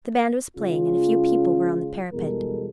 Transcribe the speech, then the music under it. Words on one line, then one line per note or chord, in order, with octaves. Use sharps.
The band was playing, and a few people were on the parapet.
C#3 G#3 C#4 F4
E2 B2 G3 G#3 A4 A#4